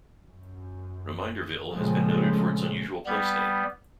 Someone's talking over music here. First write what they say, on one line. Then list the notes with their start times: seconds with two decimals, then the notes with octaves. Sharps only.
Reminderville has been noted for its unusual place name.
0.24 F#2
1.73 A#2 C#3 F3 G#3 A3 C4
3.06 G3 B3